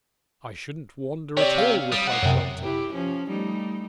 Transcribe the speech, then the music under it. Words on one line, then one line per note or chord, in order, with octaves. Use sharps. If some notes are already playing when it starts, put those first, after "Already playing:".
'I shouldn't wonder at all,' replied the doctor.
C4 G4 C#5 D5
F5
G3 D#6
C5 F#5
F#2 C3
E4 G4
F3 C#4
G3 A3 D#4